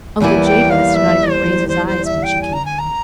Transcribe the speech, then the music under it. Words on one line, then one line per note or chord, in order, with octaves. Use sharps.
Uncle Jabez did not even raise his eyes when she came in.
E2 E3 G3 A#3 E4 G#5
G5
F5
E5
C5
C5
C5
E5
G5
G#5
A#5
G#5
A#5